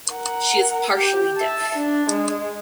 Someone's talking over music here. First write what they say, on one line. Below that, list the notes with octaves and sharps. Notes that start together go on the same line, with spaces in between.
She is partially deaf.
A#4 F#5
G4
E5 A5
D4
G#3